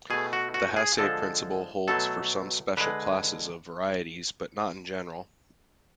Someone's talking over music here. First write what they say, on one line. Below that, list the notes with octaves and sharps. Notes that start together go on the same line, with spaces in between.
The Hasse principle holds for some special classes of varieties, but not in general.
B2 A3 G#4
F#4
F#4
G#4
D3 F3 G#3 A4
B2 F#3 A3 A4
D3 G#3 B4